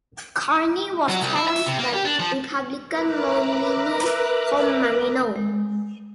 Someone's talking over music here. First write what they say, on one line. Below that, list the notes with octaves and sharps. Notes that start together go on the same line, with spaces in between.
Carney was challenged by Republican nominee Tom Marino.
F#3
C2
E4
E5
C3
A#3
G4
D4
F3
A#4 B4 E5 A#5 D6 F#6
G#3